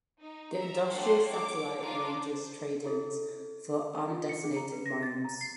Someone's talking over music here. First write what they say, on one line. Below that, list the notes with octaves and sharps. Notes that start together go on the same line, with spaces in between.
The industrious Satellite arranges trade-ins for undetonated mines.
D#4
E5 A#5
A3 A#3 D4 F#5 G5 C6
C#5 D6
D4 D#4 F4 C6 D6
C5
E4 F4 G#4 A4 D#5
F4
C#7
G#4
A#5
B4
A#6
A6
A#5
C7